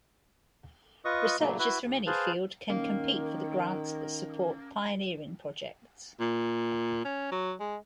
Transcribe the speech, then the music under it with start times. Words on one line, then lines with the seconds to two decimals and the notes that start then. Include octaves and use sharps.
Researchers from any field can compete for the grants that support pioneering projects.
1.05 F4 B4 D#5 C#6 D#6
1.40 A#2 C#3 F#3 A3 A#3
1.59 E4 F#4 B4 E5
1.83 D#2
2.07 G#4 B4 C5 F5 A5
2.70 D#3 A#3 C#4
6.20 A#2
7.05 C#4
7.32 F#3
7.60 G#3